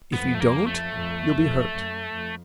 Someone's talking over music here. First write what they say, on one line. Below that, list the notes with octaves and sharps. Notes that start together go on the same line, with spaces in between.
If you don't you'll be hurt.
F2 B3
A3
A#3
A3
F2
F2
F#2
F2